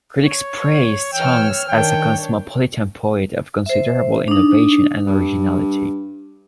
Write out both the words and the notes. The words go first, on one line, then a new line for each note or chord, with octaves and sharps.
Critics praised Tonks as a cosmopolitan poet of considerable innovation and originality.
C#5
E3 C#5 G5 E6 F6
D#3 D4 C#5 G5
C5 E5
D4 D#4
G2